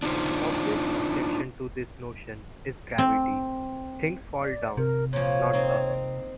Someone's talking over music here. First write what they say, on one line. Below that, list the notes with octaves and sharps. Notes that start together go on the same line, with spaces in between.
An obvious objection to this notion is gravity: things fall down, not up.
D4 D#4 F4 C5
C4
D5
C3 A#4
A#2 F3 C#5
C4 D#4